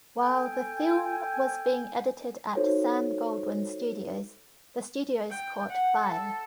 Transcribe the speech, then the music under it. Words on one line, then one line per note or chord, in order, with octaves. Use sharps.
While the film was being edited at Sam Goldwyn Studios, the studios caught fire.
A4 G5 G#5
D#4 F#4 A4 C5 C#5
G5
F#5
A4